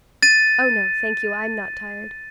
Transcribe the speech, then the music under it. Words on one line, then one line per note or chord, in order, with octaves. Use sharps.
"Oh no, thank you, I'm not tired."
A6 D#7